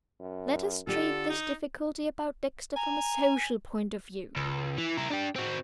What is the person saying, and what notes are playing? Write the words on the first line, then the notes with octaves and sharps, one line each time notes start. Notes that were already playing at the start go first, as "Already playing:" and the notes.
Let us treat this difficulty about Dexter from a social point of view.
F#2
D3 F4 G4 A4
D#4
G#5 A#5
C#2
E3
E4 A#4
D4 G4
C4 F#4